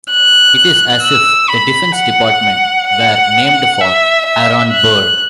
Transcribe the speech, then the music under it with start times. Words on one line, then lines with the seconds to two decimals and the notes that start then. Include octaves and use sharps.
It is as if the Defense Department were named for Aaron Burr.
0.11 F#6
1.02 E6
1.49 B5
1.95 F#5
2.87 F#5
3.81 E5
4.26 E5
4.72 F#6